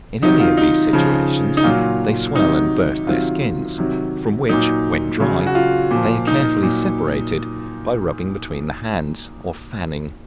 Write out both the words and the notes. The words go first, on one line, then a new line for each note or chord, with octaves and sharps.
In any of these situations, they swell and burst their skins, from which, when dry, they are carefully separated by rubbing between the hands, or fanning.
C3 D#3 F#3 D#4
F4
D#4
C#3 F3
D#4
A#2 F#3 F4
C3 D#3 F#3 D#4
C3 D#3 F#3 F4
C3 D#3 F#3
A#2 F#3 D#4
C#3 F#3
F#4
F4
A#2 F3
D#4
A#2 F#3